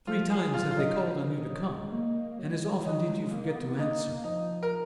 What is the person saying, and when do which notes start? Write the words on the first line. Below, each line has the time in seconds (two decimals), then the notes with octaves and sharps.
Three times have they called on you to come, and as often did you forget to answer.
0.07 F3 F4
0.30 F#3 G#4
0.54 F#3 F4
0.71 F4
0.77 F#3 D#4
1.00 F3
1.23 D#3
1.46 F#3
1.69 G#3
1.92 A#3
2.39 F#3
2.51 G#3
2.63 F#3
2.85 F#3 D#4
3.09 G#3
3.32 A#3
3.55 B3
3.78 A#3 D#4
4.24 F3 D#4
4.63 A#4